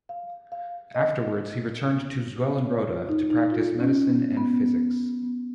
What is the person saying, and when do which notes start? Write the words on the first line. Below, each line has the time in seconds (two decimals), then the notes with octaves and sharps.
Afterwards, he returned to Zeulenroda to practice medicine and physics.
0.09 F5
0.52 F5
0.95 D#5
2.66 C#5
2.87 F4
3.09 D#4
3.30 D#4
3.51 F4
3.80 C#4
4.08 B3
4.37 B3
5.22 B3